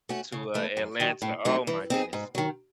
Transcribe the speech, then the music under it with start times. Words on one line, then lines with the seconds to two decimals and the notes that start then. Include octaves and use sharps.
to, uh, Atlanta. Oh, my goodness.
0.09 A3 C#4 F#4
0.32 C#3
0.54 E3 A3
0.77 F#2
1.00 D#3 F#3
1.22 A2
1.45 F#3 A3 C4 D#4
1.67 E3
1.90 C4 D#4 G#4
2.13 G#2
2.35 D#3 F#3